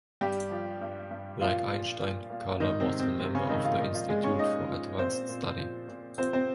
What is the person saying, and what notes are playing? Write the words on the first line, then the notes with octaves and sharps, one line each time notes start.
Like Einstein, Kahler was a member of the Institute for Advanced Study.
G2 G3 G4
F3
G2
G2
A#2 F3 F4
A#2
A#2
A#2
G#2 D#3 D#4
C3 C4
G#2
C3 C4
C3 D#3 C4
C#3 C#4
G#2 D#3 D#4
F3 F4
A#2 D#3 D#4
F3 F4
A#2 G#3 G#4
C#4 C#5
A#2 D#4 D#5
F3
A#2 C4 C5
A#2
F3
A#2
F3 C4 C5
C4 C5